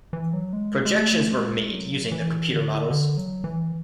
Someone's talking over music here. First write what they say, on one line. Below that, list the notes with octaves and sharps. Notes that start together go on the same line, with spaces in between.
Projections were made using the computer models.
E3
F#3
G#3
G#3
A3
G#3
F#3
E3
D3
D3
F#3
E3